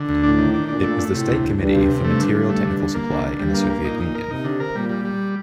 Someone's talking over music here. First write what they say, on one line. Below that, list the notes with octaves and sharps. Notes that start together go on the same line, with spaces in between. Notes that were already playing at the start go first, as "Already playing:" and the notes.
It was the state committee for material technical supply in the Soviet Union.
Already playing: D3
D2
A2 D4
D#3
D4
A#2 D4
A3
A3
A2 C3
D2
D2
D2 G2
C3
C3
G2 A3
D3
D3
A3
D3
D3
A#3
D3
D3
G2 G3
A#3
A#3
A#2 D#4
D#4
A#4
C3 D#4
D3
A#4
A#2 G3
G3
G3